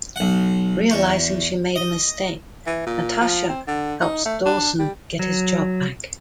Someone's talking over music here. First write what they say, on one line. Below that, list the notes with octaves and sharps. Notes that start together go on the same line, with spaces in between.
Realizing she made a mistake, Natasha helps Dawson get his job back.
B1 F#5
E2 C#6
D#5
E3
A#2
F3
C4
D3
D#4
A3
D4
G3
F#3